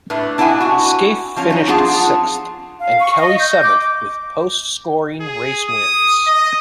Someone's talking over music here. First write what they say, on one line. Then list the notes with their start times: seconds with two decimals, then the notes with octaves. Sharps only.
Skaife finished sixth and Kelly seventh with post scoring race wins.
0.10 A2 D4 B4
0.38 D4 E4 D#5 F#5 G#5
0.60 F#4 G#5
1.36 F3 F#3 C#4
1.50 F#3 D#4
1.68 F3 D4 F4 G#4 F#5 A5
2.80 F5
2.99 C#6
3.17 D#5
3.39 G6
3.62 D6
5.21 G#4
5.69 D#6
6.27 D#5